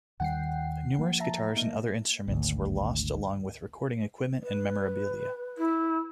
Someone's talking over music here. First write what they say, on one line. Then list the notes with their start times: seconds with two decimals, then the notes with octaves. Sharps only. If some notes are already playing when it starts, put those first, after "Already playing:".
Numerous guitars and other instruments were lost along with recording equipment and memorabilia.
0.20 D#2 D#3 G3 F#5 G5 C7
0.99 F3 A#3
1.20 E5 A5 A#5
1.57 A#3 D#4
2.28 G#1 D2
4.43 B4
5.57 E4